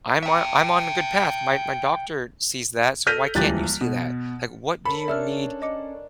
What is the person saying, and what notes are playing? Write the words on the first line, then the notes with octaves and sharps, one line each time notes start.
I'm on I'm on a good path. My my doctor sees that, so why can't you see that? Like, what do you need"
E5 G5
A4 F6 G6 A#6 B6 D#7
D#1 C#2 E3 G4 F#6 A6
B2
A4 A#4 C#5 B5
C#4 D4 A4 E5 E6 F6
D#5 D6 C#7